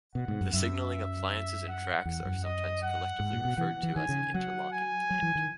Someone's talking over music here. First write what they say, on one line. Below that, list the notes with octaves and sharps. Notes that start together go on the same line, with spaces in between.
The signalling appliances and tracks are sometimes collectively referred to as an "interlocking plant".
B2 F#5
G#2
F#2
F#2 E5
F#5
E2 F#5
F#2
D#5
F#5
G#2
A#2
B2
E3 F#5
E3
D#3 G#5
C#3
F#3 F#5
G#5
F#3
E3
D#3